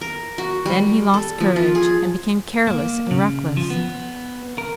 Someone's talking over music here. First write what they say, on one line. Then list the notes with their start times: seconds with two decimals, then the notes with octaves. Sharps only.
Then he lost courage, and became careless and reckless.
0.01 A#4
0.38 F#4
0.66 G3
1.14 A4
1.40 F3
1.56 F4
1.75 G#4
2.67 A#3
3.11 C#3
3.57 F3
3.70 B3
4.58 A#4